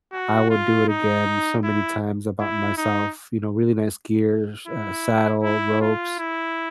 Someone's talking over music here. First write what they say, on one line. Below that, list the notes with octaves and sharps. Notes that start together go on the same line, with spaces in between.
I would do it again so many times. I bought myself, you know, really nice gears, uh, saddle, ropes,
F#4
F4
D#4
E4
E4
D#4
E4
E4
F4
E4